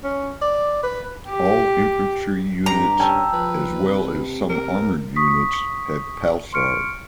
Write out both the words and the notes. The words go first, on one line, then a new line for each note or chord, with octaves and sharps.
All infantry units as well as some armored units have Palsar.
C#4
D5
B4
G4
G2 G4 A#5
C#4 G5 A5 E6
F3 B4
C3
A#4
C#6 D#6 B6
C6 C#6 F6 C#7 D7